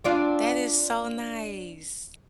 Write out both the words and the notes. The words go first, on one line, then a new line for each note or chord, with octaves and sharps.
That is so nice.
C4 D4 F4